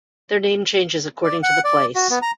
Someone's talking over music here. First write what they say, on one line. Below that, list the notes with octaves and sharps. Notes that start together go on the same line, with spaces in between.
Their name changes according to the place.
D5
F#5
D5
F#4
B3
A#5